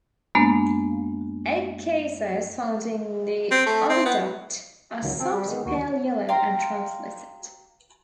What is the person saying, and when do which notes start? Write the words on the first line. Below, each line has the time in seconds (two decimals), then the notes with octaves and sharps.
Egg cases found in the oviduct are soft, pale yellow and translucent.
0.35 F#2 G#3 A#3 B3 D4
3.51 C4
3.66 A3
3.89 C4
4.05 B3
5.03 C#2 D#3 F#3
5.20 C4 A5
5.33 G3
5.48 D#3 G#3 B3
5.66 D#2 F#4
6.29 F5 G5 A#5 C6